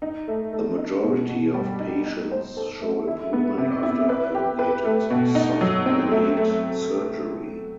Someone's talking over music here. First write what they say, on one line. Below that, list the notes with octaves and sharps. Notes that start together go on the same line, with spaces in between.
The majority of patients show improvement after elongated soft palate surgery.
D#4
A3
A3
D#4
B2
B2
G3
D#4
D#4
C5
A4
A3
E4
B3
C3
E4
B4
G4
B4
A3
B2
D#4
F#3
C4
A3
A3